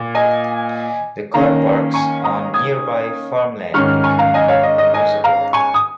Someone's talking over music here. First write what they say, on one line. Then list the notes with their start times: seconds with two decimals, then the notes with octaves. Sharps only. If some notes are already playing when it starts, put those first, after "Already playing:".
The carparks on nearby farmland became unusable.
Already playing: A#2
0.15 D#5 G#5
1.34 D#3 A#3 C#4 F5 A#5
1.94 G#5 C#6
2.24 A#5 D#6
2.54 D#6 G#6
3.74 G#2 D#3 C#4 C#6 F6
4.04 G#5 C#6
4.18 F5 A#5
4.34 D#5 G#5
4.48 C#5 F5
4.63 D#5
4.78 D#5
4.94 D#5 G#5
5.24 F5 A#5
5.53 G#5 C#6
5.74 D#6